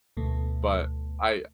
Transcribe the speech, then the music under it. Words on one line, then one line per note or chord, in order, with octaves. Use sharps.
But I
D2 B2 A3